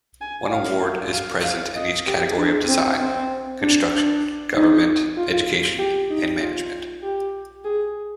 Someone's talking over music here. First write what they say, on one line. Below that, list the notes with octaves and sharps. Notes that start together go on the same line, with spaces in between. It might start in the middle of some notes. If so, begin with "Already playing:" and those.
One award is present in each category of design, construction, government, education, and management.
G#5
F5
F5
F5
D#5
G4
D4
C4
C4
D4
D4
D#4
F4
G4
D#4
F4
G4
G#4